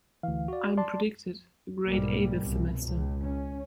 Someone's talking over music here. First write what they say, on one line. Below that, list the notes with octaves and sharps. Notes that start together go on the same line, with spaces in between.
I'm predicted a grade A this semester.
D2 E3 F5
F#4 D5
D5 A5 C6
B1 G#2 B2 G3 A#3
C2 B2
C#2
C#4